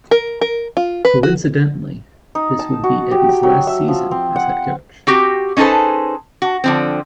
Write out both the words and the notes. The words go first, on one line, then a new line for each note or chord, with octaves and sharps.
Coincidentally, this would be Eddie's last season as head coach.
A#4
A#4
F4
B4
F#4
D#4
A5
F#4
G4
G5
F#3
E5
F3
C4
F#5
C4 F#4 G4
C#4 D#4 G#4 A4 B4 C5
F#4
D3 F3 C4